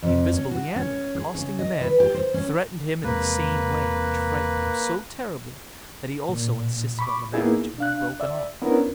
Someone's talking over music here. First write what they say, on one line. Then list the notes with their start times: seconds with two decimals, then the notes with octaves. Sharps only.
But the invisible Leander accosting the man, threatened him in the same way, which frightened him so terribly, that he also insisted on the marriage being broken off.
0.02 F2
0.33 C#4
0.51 F#4
0.76 C#4
1.15 G#4
1.35 C#3
1.59 D#5
1.81 B4
2.00 G4
2.14 C5
2.34 C#4
3.04 E2 C3 G#3 A#3 B4
6.29 A#2
6.99 B5 C#6 D6
7.34 A#3 B3 D#4 E4 G#4
7.78 D4 F5 F#6
8.20 D5 E5
8.62 B3 C#4 D4 E4 A#4 B4